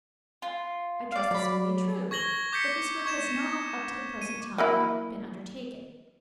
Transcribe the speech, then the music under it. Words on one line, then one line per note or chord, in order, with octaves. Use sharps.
I trust this will be true, but this work has not, up to the present time, been undertaken.
F4
D5 F5
F#3 D5 B5
C#6 G#6 A#6 F#7 G7
D6 G6 B6 C#7
C#6 G#6 E7
D#7
F#3 A#3 E4